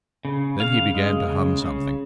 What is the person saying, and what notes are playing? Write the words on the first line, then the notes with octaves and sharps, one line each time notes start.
Then he began to hum something.
C#3
C#3 F5
G#3
C#3
C#3